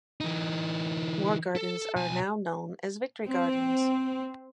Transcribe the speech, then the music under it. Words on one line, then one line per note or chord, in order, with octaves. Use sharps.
War Gardens are now known as Victory Gardens.
E3 D#4
A4
B1 G#5
C4